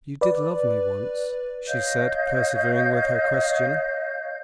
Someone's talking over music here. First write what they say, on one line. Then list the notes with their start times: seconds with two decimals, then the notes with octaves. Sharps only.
"You did love me once?" she said, persevering with her question.
0.21 B4 D5
1.67 C#5 D#5 F5 G6